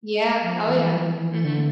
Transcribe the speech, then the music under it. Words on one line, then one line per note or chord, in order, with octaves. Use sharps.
Yeah. Oh, yeah. Mhm.
F3
E3
F3
E3
E3
E3
D3